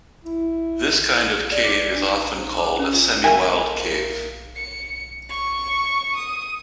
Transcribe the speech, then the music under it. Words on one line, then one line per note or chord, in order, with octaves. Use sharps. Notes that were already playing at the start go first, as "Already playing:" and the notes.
This kind of cave is often called a semi-wild cave.
E4
D5
D6
B4
D4
D#4
A#5
C5
D6
C#4
F4
A#3 E5 G#5
C#7
C#6
D#6